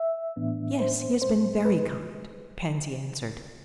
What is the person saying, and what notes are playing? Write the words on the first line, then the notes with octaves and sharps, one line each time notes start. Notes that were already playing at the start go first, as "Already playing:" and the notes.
"Yes, he has been very kind," Pansy answered.
Already playing: E5
A2 E3 B3 D4
C5
A2 G#3 C4 C5
B4